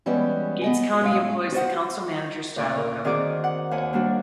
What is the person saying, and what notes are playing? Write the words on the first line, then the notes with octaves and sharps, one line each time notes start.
Gates County employs the Council-manager style of government.
E3 G3 G#3 B3 C#4
B3 D#5 G#5
A2 G#3 C#4 E5 F5
F#4 C5 F#5
D2 A#2 D5 C#6
A#4
D#3 C4 F#4 G#4 D5 D6
F#5
D#2 F#5 G#5
G3 A#3 D4 F#4